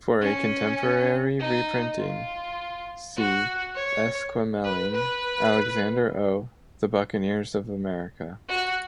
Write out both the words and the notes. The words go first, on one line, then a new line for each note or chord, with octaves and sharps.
For a contemporary reprinting, see Esquemeling, Alexander O., The Buccaneers of America.
C#4
D#4
F4
F#4
C#5
B4
B4
F#4